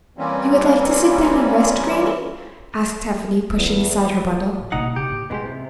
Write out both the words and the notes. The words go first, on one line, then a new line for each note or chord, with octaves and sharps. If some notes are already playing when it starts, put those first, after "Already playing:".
'You would like to sit down and rest, granny?' asked Tephany, pushing aside her bundle.
E3 G3 A#3 C4 C#4
E2
A2
B2 A#3 D#4 F#5
C3 G4
A2
B2 G#3 C#4 E4 G4
C3